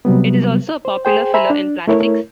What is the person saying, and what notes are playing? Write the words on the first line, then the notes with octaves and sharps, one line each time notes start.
It is also a popular filler in plastics.
C3 F#3 G3 B3
C5
G#4 C5 G5
C5 E5 G#5 A#5 B5
D4
A3 E4 A#4 C#5